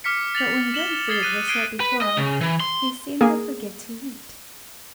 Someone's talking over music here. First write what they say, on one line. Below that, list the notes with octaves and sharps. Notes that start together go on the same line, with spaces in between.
But when good food was set before him he seemed to forget to eat.
D6 F6 B6 C#7
A6 F7 F#7
E7 F#7 G7
D#6 G#6 A6 C7 F#7 G7
F#6 D#7
F#6 G#6 C7 D7 D#7 G7
B4
D#5
C#3
E3
C6
A#3 G#4